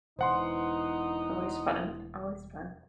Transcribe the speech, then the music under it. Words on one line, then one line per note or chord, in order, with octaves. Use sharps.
Always fun, always fun.
E1 D3 E3 D#4 C5 F#5 C6